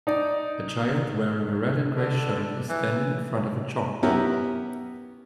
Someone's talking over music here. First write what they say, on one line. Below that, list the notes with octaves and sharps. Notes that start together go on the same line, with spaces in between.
A child wearing a red and gray shirt is standing in front of a chalkboard.
D#4 D5
D3
E3
B3 C#4 E4 G4 A#4